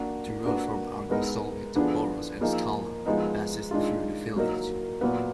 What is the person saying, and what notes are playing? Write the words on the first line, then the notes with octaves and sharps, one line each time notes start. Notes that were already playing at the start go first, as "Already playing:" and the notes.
The road from Argostoli to Poros and Skala passes through the village.
Already playing: A#3 D4 F#4
A#3 D4 F#4 B4
G#3 B3 D#4 A#4
D3 F3 B3 D4 G#4
F3 A#3 D#4 G#4
F3 G#3 B3 D#4
D#3 G#3 D4 F4
F#3 A#3 D#4 A#4
A#2 F#3 B3